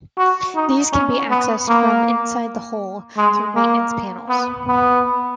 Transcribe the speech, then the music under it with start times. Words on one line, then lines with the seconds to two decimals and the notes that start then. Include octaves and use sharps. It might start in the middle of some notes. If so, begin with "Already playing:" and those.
These can be accessed from inside the hull through maintenance panels.
0.18 F#4
0.56 D#4
0.92 C#4
1.30 B3
1.68 A#3
3.17 G#3
3.55 A#3
4.29 B3
4.68 B3